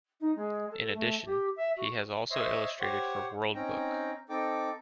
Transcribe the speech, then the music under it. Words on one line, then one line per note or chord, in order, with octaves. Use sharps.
In addition, he has also illustrated for World Book.
D#4
G#3
A4
A3
G4
E5
F#4
C5 C#5 D#5 E5 C6
G4 C5 C#5 F#5 C#6
C4 C#4 D#4 G5 A#5
C4 D#4 A4 G5 D6